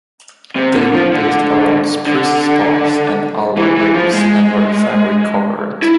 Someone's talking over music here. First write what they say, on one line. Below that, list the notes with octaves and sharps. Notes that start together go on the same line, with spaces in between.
They were built around spruce spars and alloy ribs and were fabric covered.
C3
D3
F3
D3
D3
E3
E3
F3
G#3
E4